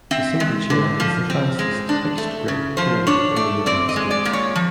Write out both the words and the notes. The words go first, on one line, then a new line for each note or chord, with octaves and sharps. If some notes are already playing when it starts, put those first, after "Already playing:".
The Single Chair is the fastest fixed-grip chairlift in the United States.
C4 E5
G#3
D3
F3
C4
G#3
D4
A3
C#3
F3 C5
D4 C#5
A3 D5
C4 D5
D#5
G#3
D5
A#2
C#5
F3